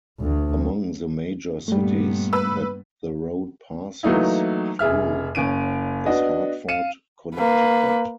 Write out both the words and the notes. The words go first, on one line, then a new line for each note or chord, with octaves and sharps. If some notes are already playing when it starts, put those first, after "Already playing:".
Among the major cities that the road passes through is Hartford, Connecticut.
D2
G2 A#2 G3 A3 B3
B4 E6
E3 F#3 A3 A#3 D#4 E4
F1 G#4 E5 F6
F#1 C#4 D7 D#7
B3 D4 F#4 D#5
F5 C#7 D#7 E7
A#3 B4